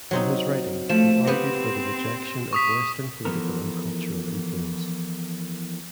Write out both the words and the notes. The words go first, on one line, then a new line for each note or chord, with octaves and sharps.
In his writings he argued for the rejection of Western political and cultural influence.
F#3 C4 D#4
F3 A3 E7
B3 C4 G4
C#6 D#6 B6
E3 F3 B3 A4 A#4